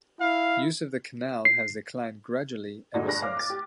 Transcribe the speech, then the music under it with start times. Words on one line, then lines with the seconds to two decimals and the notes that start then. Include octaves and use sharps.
Use of the canal has declined gradually ever since.
0.20 E4 F5
1.45 C7
2.94 G2 A#2 D3 D4 D#4 F#4
3.07 G2 G#4 F#6 A#6
3.22 C#5 F5 D6 F6
3.37 D6 A6
3.50 G4